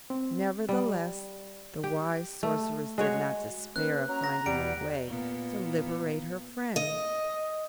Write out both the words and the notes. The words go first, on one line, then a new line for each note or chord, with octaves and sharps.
Nevertheless, the wise Sorceress did not despair of finding a way to liberate her friends.
C4
G3
G4
A3
G#3 F#4 C#5
A#3 C#4 B4 F#6
F#3 C#4 A#5
A#6
E2 G3 F#5 D7
A#2 B3
D#5